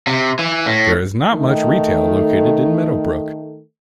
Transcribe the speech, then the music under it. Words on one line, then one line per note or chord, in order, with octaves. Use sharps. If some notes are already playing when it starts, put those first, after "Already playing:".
There is not much retail located in Meadowbrook.
C3
E3
A2
D#3 A3